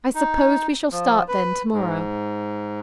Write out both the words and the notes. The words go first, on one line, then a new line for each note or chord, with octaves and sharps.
"I suppose we shall start, then, to-morrow."
D#4
F3
B4
G#2